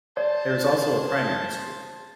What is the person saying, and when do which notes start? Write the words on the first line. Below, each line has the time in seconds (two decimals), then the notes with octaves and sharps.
There is also a primary school.
0.17 G#4 C5 D5 A5